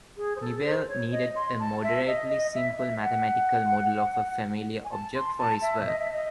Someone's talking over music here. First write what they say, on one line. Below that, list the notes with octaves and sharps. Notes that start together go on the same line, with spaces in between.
Newell needed a moderately simple mathematical model of a familiar object for his work.
G#4
C5
A4
C5
C#5
D#5
C6
A5
E5
D#5
D#5
E5
E5
F#5
G#5
A5
C6
A5
E5
D#5
E5
D#5